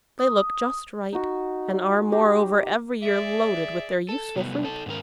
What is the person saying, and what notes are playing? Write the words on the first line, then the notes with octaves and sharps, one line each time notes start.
They look just right, and are, moreover, every year loaded with their useful fruit.
D#6
D#4 F#4
G4 A#5 C6
G#4 D5 E5
A4
C3 G3 A3 B3
D#4 A4
G#2 D#3 C#4 A#4